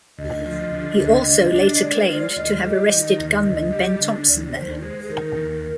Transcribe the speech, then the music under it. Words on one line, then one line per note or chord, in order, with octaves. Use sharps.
He also later claimed to have arrested gunman Ben Thompson there.
D2 D#5
F3
D3
D2
D3
D4
D#5
G#3 D5
A#4
C5
F4
D5
D#2 D#5
G3 D#5
D#3
D#2
D2 D#5
G3
D3
D2 D5
D#2 C5
G#3
G#4
D#3 A#4
D#2